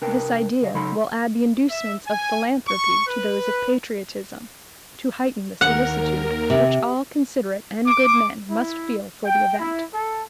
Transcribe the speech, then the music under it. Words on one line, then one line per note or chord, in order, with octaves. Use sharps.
This idea will add the inducements of philanthropy to those of patriotism, to heighten the solicitude which all considerate and good men must feel for the event.
C2 D4 A#4 B4 G5
C#2 G#4 D#5 F5
C#3 F#3 D#4 A4 B5 C6
E5
G#5
C#6
B4
D#2 A#4 F#5
C3
D6
E4
G5
E4
A4